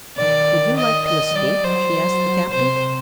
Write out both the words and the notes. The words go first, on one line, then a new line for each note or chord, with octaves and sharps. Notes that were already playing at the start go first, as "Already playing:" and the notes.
"Would you like to escape?" she asked the captive.
D#3 D5
D#5
D#5
G3 D5
F#3 C5
F#3
C3 C5